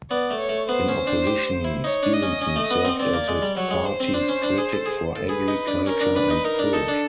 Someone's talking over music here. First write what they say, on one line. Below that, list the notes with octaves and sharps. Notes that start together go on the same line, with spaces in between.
In opposition, Stevenson served as his party's critic for Agriculture and Food.
B3 D5
A3
C#5
A3
B3 C5
C#4
D4
G4
E4
D#4 C#5
D4
D#5
C#4
C#4
A3
B3
C4
C4 D5
A#3
G#3
G3
F#3 C#5
G#3
C5
C4
D4
C#4
D4
G#4
A4
G#4
A4
G#4 B4
D#4
D4
C#4 A#4
D4
D4 B4
D#4
D#4 A#4
D4
D#4 A4
D4